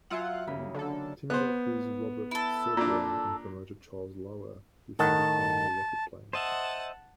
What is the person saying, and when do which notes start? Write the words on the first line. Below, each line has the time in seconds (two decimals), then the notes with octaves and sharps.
Teaming up with Robert Zubrin and promoter Charles Lauer, he founded Pioneer Rocketplane.
0.10 F#3 F4 E5 F#5 G#5
0.47 G1 D#2 C#3 B5
0.74 D3 A4
1.30 B3 C5 F#6
2.31 E4 A4
2.77 A#2 D4 A#5
4.99 A2 D#3 F#5 A5
6.33 C5 D#5 E5 F#5 A5